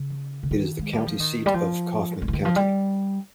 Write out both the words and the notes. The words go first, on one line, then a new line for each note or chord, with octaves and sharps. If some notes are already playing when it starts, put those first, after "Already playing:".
It is the county seat of Kaufman County.
Already playing: C#3
C#3
D#3
G#3
G3
F3
D#3
G3
F3
G3
F3
D#3
F3
G3